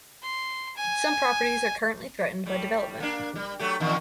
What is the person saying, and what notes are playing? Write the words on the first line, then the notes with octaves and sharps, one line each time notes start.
Some properties are currently threatened by development.
C6
G#5
A2 G3
A#3 D4
G3
F#3 A3 G4
E2 A#2 D#3